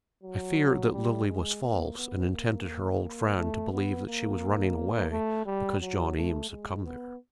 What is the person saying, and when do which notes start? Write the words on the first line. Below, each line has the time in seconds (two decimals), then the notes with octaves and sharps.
I fear that Lily was false, and intended her old friend to believe that she was running away because John Eames had come there.
0.23 F#3
0.92 G3
1.28 G#3
1.63 A#3
1.97 B3
2.32 A#3
3.37 A3
3.72 B3
4.07 A#3
5.11 A3
5.46 G3
5.80 F#3
6.16 A3
6.50 G#3
6.85 B3